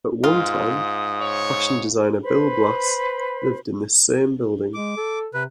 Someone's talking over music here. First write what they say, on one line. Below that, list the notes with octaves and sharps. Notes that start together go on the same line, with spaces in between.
At one time, fashion designer Bill Blass lived in this same building.
G#2 F4 D#6
C#5
B4 C5 B5
G#3 D6
A4
C3 B4